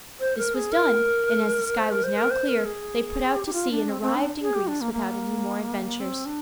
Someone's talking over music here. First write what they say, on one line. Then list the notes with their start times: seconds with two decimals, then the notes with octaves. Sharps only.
This was done, and as the sky was now clear they put out to sea, and arrived in Greece without any more adventures.
0.20 C5
0.38 A#4
0.55 G#4
0.72 A#4
1.78 C5
1.91 A#4
2.04 C5
2.17 A#4
2.30 C5
2.48 A#4
2.65 G#4
3.35 G4
3.46 G4
3.53 F4
3.71 D4
3.89 C4
4.02 C4
4.15 D4
4.41 G#4
4.55 G4
4.67 D4
4.81 A#3
4.93 A#3
6.00 C4
6.26 D4